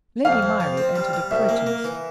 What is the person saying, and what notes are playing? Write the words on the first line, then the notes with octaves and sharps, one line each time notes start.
Lady Myrie entered a protest.
F2 F5
F2
F3
C4
G3
G3
C2 E5
A#3
A#3
E3